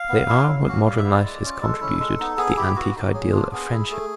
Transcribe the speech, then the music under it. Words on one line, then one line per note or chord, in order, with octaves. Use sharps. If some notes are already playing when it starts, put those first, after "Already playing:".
They are what modern life has contributed to the antique ideal of friendship.
Already playing: F5
B3
E4
F#3
A#3 C#4 F#4
G3 F5
E5
B3 E4
D5
G#3
C#4 F4
G#3 A4
C#4 E4
G#3
B3 D#4
B3 G#4
E4 G4
B3 F#4
D#4 F#4
F#3 G#4
A#3 D4 F4
B3 G#4
E4
A3